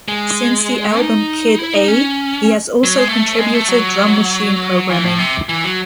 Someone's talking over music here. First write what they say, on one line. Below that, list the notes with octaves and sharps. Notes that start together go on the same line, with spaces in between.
Since the album "Kid A", he has also contributed drum machine programming.
G#3
D#4
E4
D#4
C#4
F#3
G#3
A3
G#3
A3
F#3
E3
A2
C3
E3
F#3